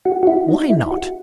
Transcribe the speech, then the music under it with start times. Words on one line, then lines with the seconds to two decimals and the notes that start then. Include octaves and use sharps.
"Why not?"
0.05 F#4
0.23 F#4
0.27 E4
0.49 D#4
0.70 E4
0.91 F#4